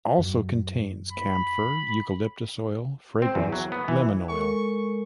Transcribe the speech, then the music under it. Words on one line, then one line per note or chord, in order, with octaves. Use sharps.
"Also contains:" Camphor, eucalyptus oil, fragrance, lemon oil.
F#2
B5
C4
E2
F#3
B3
E3
G#3 A4 A#4 C#6